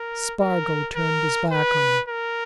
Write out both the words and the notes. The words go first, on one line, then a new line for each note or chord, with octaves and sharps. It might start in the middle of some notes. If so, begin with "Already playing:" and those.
Spargo turned his back on him.
Already playing: A#4
A#4
A#4
B4
A#4